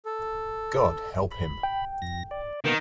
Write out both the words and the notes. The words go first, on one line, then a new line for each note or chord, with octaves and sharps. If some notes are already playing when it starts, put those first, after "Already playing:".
God help him!
A4
B5
G5
F2 A#6
D5
B2 D#3 A#3 B3